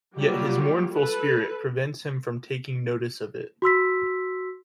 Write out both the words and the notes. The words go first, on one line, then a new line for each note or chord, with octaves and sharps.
Yet his mournful spirit prevents him from taking notice of it.
F#3 G3 A#3 F4 G4
A4 B4
F#4 C6 E6 B6